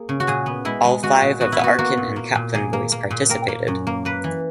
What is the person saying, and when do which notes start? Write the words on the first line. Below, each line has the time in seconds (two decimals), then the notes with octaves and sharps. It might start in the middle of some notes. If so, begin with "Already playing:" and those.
All five of the Arkin and Kaplan boys participated.
Already playing: A#3 G#4
0.09 C#3
0.20 F#4
0.27 A#2 G#4
0.46 B3
0.65 G#3 E4
0.84 G#3
1.03 G#3 F#4
1.22 A#2
1.40 B3 F#4
1.52 E4
1.60 B3 F#4
1.78 A#3 F#4
1.97 A#2
2.16 A#3
2.35 A#2
2.54 A#3 G#4
2.73 A#3
2.92 A#3
3.11 A#2
3.29 A#3 A#4
3.48 A#3
3.68 F#2
3.87 A#3
4.05 A#3 B4
4.24 E3